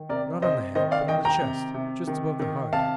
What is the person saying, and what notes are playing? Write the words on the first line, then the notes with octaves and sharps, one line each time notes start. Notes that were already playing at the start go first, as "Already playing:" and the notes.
Not on the head but on the chest, just above the heart.
Already playing: D#3
C3 A#4 D5
C3 C5 D#5
D#3 C5 D#5
D5 F5
D#3 D#5 G5
G5 A#5
C3
C3
D#3
D#3
C3 F5 A5